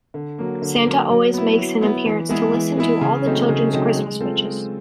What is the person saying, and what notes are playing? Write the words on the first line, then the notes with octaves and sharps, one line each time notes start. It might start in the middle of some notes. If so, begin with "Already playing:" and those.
Santa always makes an appearance to listen to all the children's Christmas wishes.
D3
F#3 A#3
D3
F#3 A#3
F#3
B3 E4
F#3
B3 E4
E3
G#3 B3 E4 G#4
E3
G#3 B3 E4 G#4
C#3
F#3 A3 C4 D#4
C#3
F#3 A3 C4 D#4
G#3
C4 F4 A4
G#3